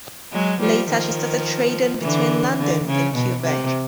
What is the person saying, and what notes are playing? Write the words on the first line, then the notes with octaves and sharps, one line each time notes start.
Later she started trading between London and Quebec.
F#3 G#3
F3 G3
D#3 F3
D3 E3
D3
C#3
B2
C3